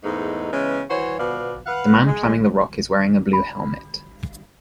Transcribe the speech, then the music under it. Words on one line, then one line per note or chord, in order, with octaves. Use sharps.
The man climbing the rock is wearing a blue helmet.
E2 G#2 A3 D#4
C#3 E3 G#3 B3 C#4
E3 F#4 C5 C#5
B2 F3 B3 D5 F5
B4 F5 F#5
G#3
B5